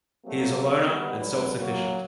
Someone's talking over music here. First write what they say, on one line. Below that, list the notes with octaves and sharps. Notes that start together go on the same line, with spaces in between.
He is a loner and self-sufficient.
F#3 G3 A3 A#3 C4 F#4
D#3 G3 A#3 B3 F#4 B4
D2 A2 D3 F#3 G#3 B4
F#3 A#3